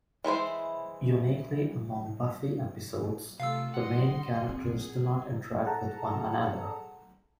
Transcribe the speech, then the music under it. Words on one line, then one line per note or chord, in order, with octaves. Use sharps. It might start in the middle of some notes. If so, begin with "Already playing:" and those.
Uniquely among "Buffy" episodes, the main characters do not interact with one another.
E3 G#3 E4 C5
C3 A3 F4 A4 F5 E6
G3 D#5 F#5 C6
C4 G#4
G#4 A4 F#5 A5 A#5